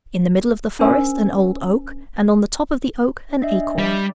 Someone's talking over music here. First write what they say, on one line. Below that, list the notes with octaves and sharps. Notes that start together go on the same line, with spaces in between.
In the middle of the forest, an old oak, and on the top of the oak, an acorn.
C#4 D4 A#4 C5 G#5 E6
D4 D#5 E5
G3